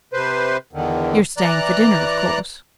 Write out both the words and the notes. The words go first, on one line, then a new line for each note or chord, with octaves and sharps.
"You're staying for dinner, of course?"
C3 B4 C5
E2 D3 D#3
E3 D5 A#5 F#6